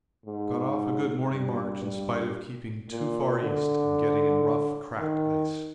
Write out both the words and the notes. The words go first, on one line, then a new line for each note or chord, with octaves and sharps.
Got off a good morning march in spite of keeping too far east and getting in rough, cracked ice.
G#2
G2
G2
A#2
D3
D#3